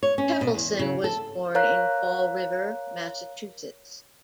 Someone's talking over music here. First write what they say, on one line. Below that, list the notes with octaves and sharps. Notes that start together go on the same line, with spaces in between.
Kevelson was born in Fall River, Massachusetts.
C#5
C#4
B2
E2
C#3
A4
A#4 C#5 F5 A#5 F#6